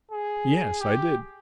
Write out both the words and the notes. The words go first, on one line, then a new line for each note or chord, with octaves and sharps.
"Yes, I did."
G#4
G4